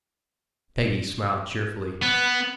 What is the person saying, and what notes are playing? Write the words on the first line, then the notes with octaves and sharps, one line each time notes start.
Peggy smiled cheerfully.
B3